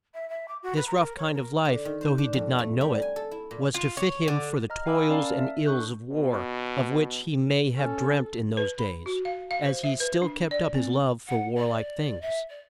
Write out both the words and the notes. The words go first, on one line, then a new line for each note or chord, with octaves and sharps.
This rough kind of life, though he did not know it, was to fit him for the toils and ills of war, of which he may have dreamt in those days, as he still kept up his love for war-like things.
E5
E5
D6
F#4
B4
A#5
A#4
C#5
A#4
D3
D#3
C5
D4
F2
A3
G3
G#5
A4
E4
A#2
F4
C#5
D3
D#5 A#5 F6
F5 G5 G#5 B5 D6 E6
C#4 A#4 D5 F5 A5
E5
D4 A4 C#6 F#6 G6
B2
C#4 A4
B4
B5
F#4
F5
F5
C5
E5
B4
D4
D5
C4
F#5
D5
E5
D5